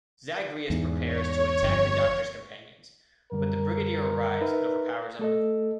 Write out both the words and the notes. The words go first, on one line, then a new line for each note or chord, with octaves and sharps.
Zagreus prepares to attack the Doctor's companions, but the Brigadier arrives and overpowers him.
E2 G#2
C#5
G1 F2
F#2 D3 G3 A#4
D#4 B4 E5
A3 A4 D#5